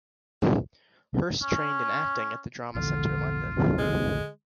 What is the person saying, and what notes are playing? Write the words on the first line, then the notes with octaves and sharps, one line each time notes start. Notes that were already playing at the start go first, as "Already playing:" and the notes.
Hirst trained in acting at the Drama Centre London.
C#4
A#1 E2 G#2 D3 F4
D3 G#3